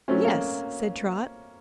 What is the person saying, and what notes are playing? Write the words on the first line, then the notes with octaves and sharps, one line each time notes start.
"Yes," said Trot.
F#3 A3 C4 C#4
A#3